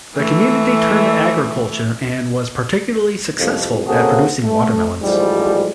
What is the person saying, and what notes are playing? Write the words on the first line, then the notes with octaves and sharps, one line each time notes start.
The community turned to agriculture and was particularly successful at producing watermelons.
E3 A3
C2 F2
C#3 A#3 C4 F#4 G#4 A4
A3
A1 G#2 F3 G3